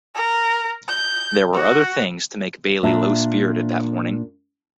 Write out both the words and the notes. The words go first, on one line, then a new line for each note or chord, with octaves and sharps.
There were other things to make Bailey low-spirited that morning.
A#4
G6
F#4
A#2 D4 E5